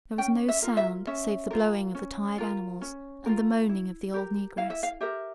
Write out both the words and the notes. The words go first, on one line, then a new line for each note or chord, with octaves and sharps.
There was no sound save the blowing of the tired animals and the moaning of the old negress.
C#4 G5
E5
F4 A#4
E5
C#4 E5
F4 A#4
C#4
F4 A#4
C#4
F4 A#4
E4
G4 A#4
E4 F5
E5
F5
G4 A#4 E5